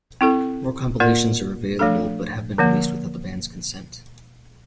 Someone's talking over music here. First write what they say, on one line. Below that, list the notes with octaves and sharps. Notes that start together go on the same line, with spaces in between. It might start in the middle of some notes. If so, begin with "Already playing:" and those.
More compilations are available but have been released without the band's consent.
C4 E4 A4
A#3 F4 A#4 D5
F3 A3 D4 A4
D3 F3 A#3